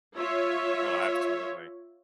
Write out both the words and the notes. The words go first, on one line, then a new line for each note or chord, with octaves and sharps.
Oh, absolutely.
F4 C#5 E5